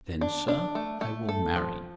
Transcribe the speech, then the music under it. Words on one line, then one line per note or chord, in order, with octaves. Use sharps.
"Then, sir, I will marry you."
D4
D4
A3
A3
A4
F3